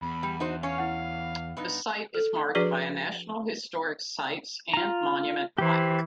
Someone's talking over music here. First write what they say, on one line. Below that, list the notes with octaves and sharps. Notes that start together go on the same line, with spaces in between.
The site is marked by a National Historic Sites and Monument plaque.
E2 B5
G3
D#4 F#4 C5
C#4 C#5 F5 G#5 C#6
E4 F#5
G2 B3 D#4
A4
F3 D4 F#4 G#4 B4 D5
F4 A#5
E3 G4 C5